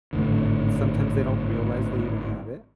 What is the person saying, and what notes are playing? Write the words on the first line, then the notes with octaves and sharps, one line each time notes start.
sometimes they don't realize they even have it,
G#1 A2 D3